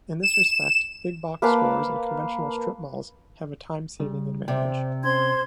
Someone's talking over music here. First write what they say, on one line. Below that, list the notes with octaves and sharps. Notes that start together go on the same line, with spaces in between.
In this respect, big box stores and conventional strip malls have a time-saving advantage.
E7
A#3 B4 F5 A5
C#3 G3
C3 C5 D5 G5
C#4 C5 C6 G#6